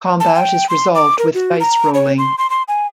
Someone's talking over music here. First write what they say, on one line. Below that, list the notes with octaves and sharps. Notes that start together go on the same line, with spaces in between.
Combat is resolved with dice rolling.
A5
G5
C6
D6
A#4
F#4
A#5
C#5
C6
C6
C6
G#5